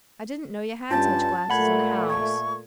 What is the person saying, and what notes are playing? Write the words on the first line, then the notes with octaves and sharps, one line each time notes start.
I didn't know you had such glasses in the house.
G2 C#4 F4 A5
A#2 A3 F#5 B5 G#6
C#6 G#6